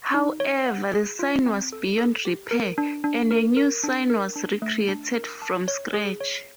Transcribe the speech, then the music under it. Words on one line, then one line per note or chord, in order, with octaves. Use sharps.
However, the sign was beyond repair and a new sign was recreated from scratch.
D#4
C#5
F#5
G#4
F4
C4
A4
A4
G4
A#4
D4
D4
A#4
A#4
D4
A#4
D4
A3
D4
A#4
A5
C#5
G#4
C#5